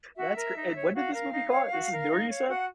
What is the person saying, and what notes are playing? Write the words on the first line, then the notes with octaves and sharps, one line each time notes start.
that's cr and when did this movie come out? This is newer you said?
F#4 E5
A#4
D#4
C#5
F#4 F5
A#4
D#4
C#5
F#4
A#4
D#4
C#5
F#4 F#5